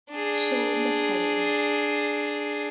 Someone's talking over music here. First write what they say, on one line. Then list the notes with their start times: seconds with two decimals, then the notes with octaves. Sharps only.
'Shoals of Herring'.
0.11 D4 G#4